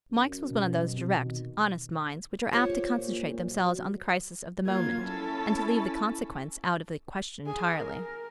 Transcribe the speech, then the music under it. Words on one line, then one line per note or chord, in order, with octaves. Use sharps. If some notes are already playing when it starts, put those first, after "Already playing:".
Mike's was one of those direct, honest minds which are apt to concentrate themselves on the crisis of the moment, and to leave the consequences out of the question entirely.
F#2
B2
C3
D#3
F4 G4 C5 C#5
A#2
F#3
F#3 A#3 F4 G#6
C#4 E4 A4
G#4
A#4